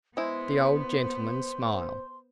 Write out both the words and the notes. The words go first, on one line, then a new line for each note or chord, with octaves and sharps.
The old gentleman smiled.
G#3 B3 E4 C5 C6